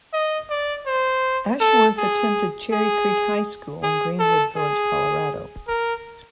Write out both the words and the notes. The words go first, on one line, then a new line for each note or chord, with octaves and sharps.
Ashworth attended Cherry Creek High School in Greenwood Village, Colorado.
D#5
D5
C5
A4
G#4
G#4
G#4
A4
G#4
A#4